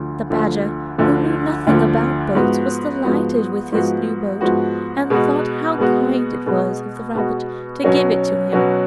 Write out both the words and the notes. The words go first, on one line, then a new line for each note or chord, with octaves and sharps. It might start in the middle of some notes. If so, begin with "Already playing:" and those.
The badger, who knew nothing about boats, was delighted with his new boat and thought how kind it was of the rabbit to give it to him.
Already playing: D2 D3 F3
D2 D3 F3
D2 D3 F3
D2 D3 F3
G#2 F3 B3 F#4
G#2 F3 B3 F#4
G#2 F3 B3 F#4
G#2 F3 B3 F#4
B2 G#3 B3 F#4
B2 G#3 B3 F#4
B2 G#3 B3 F#4
B2 G#3 B3 F#4
B2 F#3 C#4 F#4
B2 F#3 C#4 F#4